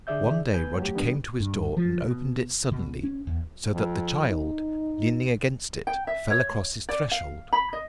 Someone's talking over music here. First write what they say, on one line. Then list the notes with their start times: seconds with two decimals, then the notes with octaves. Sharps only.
One day Roger came to his door and opened it suddenly, so that the child, leaning against it, fell across his threshold.
0.07 D3 G#4 D5 E5 G6
0.54 E2 B2 B3 B4 G#5 G6
0.79 F#3 A3 G4
0.95 D#3 G3 B3 D4
1.40 G2
1.77 F3
2.02 B2
2.72 B2
3.03 C#4
3.27 E2
3.75 F2
4.29 D#4
5.87 G5
6.07 E5
6.30 C#5
6.89 D5
7.11 F5
7.53 B5
7.73 D#5